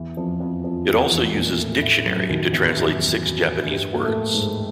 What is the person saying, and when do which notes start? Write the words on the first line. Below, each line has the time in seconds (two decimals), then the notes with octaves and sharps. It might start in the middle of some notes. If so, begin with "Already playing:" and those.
It also uses "dictionary" to translate six Japanese words.
Already playing: E2 E3
0.17 F2 F3
0.40 F2 F3
0.64 F2 F3
0.88 E2 E3
1.11 E2 E3
1.34 A#2 A#3
1.59 A2 A3
1.82 A2 A3
2.05 F#2 F#3
2.29 D#2 D#3
2.53 E2 E3
2.77 F#2 F#3
3.71 G2 G3
3.95 A#3
4.03 A2 A3
4.34 G#2 G#3